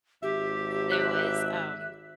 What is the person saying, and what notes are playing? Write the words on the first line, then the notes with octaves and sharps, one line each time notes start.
there was, um,
G#1 G4 E5
F#6 B6